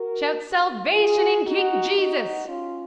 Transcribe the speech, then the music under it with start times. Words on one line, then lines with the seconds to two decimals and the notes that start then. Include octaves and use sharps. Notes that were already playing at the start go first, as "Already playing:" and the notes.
Shout salvation in King Jesus.
Already playing: F#4 A#4
0.95 F4 G#4
1.46 D#4 F#4
1.97 D#4 F#4
2.48 C#4 F4